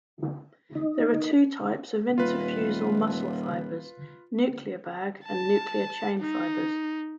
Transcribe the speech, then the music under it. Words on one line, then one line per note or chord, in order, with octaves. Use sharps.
There are two types of intrafusal muscle fibers: nuclear bag and nuclear chain fibers.
D#4
D#1 F4 B4
A5
D#4